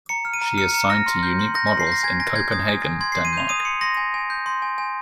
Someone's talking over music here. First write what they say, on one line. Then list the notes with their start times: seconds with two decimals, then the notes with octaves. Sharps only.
She is signed to Unique Models in Copenhagen, Denmark.
0.09 A#5 C#7
0.25 F6
0.33 D#7
0.42 A#5
0.58 F6 C#7
0.74 A#5 C#7
0.90 F6 A#6
1.06 C6
1.23 G6
1.39 C6
1.55 G6 A#6
1.67 C6 A#6
1.80 C7
1.87 G6 A#6
2.03 G#5 G#6
2.20 G#5 A#6
2.35 G6 G#6
2.52 D#6 G#6
2.69 G#5
2.84 G#5
3.00 C6 G#6
3.12 C6 C7
3.25 D#7
3.33 G6 F7
3.49 D#6 D#7
3.65 C6 C#7
3.81 C6 A#6
3.97 G#5
4.14 G#5
4.30 G6
4.46 C6
4.62 G#5
4.78 G#5